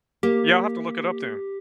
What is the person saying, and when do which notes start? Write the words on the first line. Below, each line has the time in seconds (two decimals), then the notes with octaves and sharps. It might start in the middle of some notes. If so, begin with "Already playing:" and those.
Yeah, I'll have to look it up then.
0.23 A#3 G4